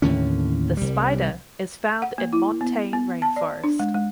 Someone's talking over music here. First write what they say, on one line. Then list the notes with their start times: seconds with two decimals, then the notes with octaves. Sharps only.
The spider is found in montane rainforest.
0.02 D#2 A2 D3 C#4
0.77 C2 G3
2.02 F#5
2.18 A#3
2.33 E4
2.61 B3
2.93 B3
3.22 A5
3.36 D5
3.64 D4
3.80 G#3
3.94 G#3